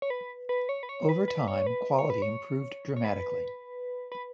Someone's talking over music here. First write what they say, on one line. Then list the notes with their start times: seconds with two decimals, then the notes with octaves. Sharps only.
Over time quality improved dramatically.
0.02 C#5
0.10 B4
0.49 B4
0.69 C#5
0.83 B4
0.89 C#5
1.09 B4
1.28 B4
1.48 C#5
1.67 B4
1.99 C#5
2.10 B4
2.22 C#5
2.97 C#5
3.05 B4
4.12 B4